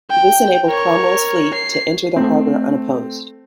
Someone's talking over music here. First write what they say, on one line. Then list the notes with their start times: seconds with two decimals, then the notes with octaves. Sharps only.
This enabled Cromwell's fleet to enter the harbour unopposed.
0.11 G5
0.67 A#4 C#5
1.54 C7
2.16 A3 C4